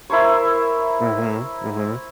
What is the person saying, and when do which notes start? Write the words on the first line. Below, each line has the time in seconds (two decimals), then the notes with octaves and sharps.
Mhm, mhm.
0.10 E4 A#4 C5 C#5